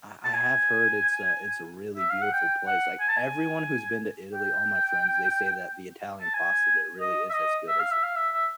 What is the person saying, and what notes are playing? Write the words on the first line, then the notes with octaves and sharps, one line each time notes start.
I I have heard it's a it's a really beautiful place. Like, everyone who's been to Italy, all my friends, they say that the Italian pasta there really is as good as
A5
G#5
E5
F5
F#5
G5
F#5
G#5
A5
G#5
G5
A5
G#5
D#5
E5
D#5
E5
F5
E5
F5
E5
E5